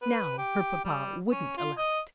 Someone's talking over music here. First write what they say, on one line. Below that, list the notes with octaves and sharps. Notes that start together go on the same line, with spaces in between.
Now her papa wouldn't allow it.
B4
G4
G3
C#4
F4
D#5